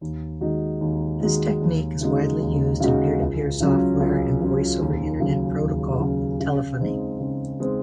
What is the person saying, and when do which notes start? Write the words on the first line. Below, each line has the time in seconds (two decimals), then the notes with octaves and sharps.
This technique is widely used in peer-to-peer software and Voice over Internet Protocol telephony.
0.01 D#2
0.41 D#3 G#3 D#4 F#4
0.81 D#2
1.20 D#3 G#3 D#4 F#4
1.61 D#2
2.01 C#3 G#3 D#4 F#4
2.40 D#2
2.80 C#3 G#3 D#4 F#4
3.21 C#2
3.60 C#3 F#3 C#4 F4
4.00 C#2
4.41 C#3 F#3 C#4 F4
4.80 D#2
5.20 C#3 F#3
5.60 D#2
6.00 C#3 F#3
6.40 C#3
6.80 G#3 C4 D#4
7.20 C#3
7.60 G#3 C4 D#4